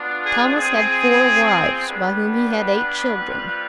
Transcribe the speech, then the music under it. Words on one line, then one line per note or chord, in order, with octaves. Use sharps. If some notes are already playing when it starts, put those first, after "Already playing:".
Thomas had four wives, by whom he had eight children.
Already playing: B3 D4 F4
G#4
C4 F4 G#4
G3 B3 D4
B4
G3 C4 F4